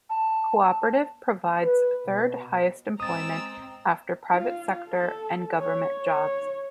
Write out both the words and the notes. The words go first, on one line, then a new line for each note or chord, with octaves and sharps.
Cooperative provides third highest employment after private sector and government jobs.
A5
B4
B2
G#3 C4 A#5 D#6 E6 A6
F4
A4
C#5
C#5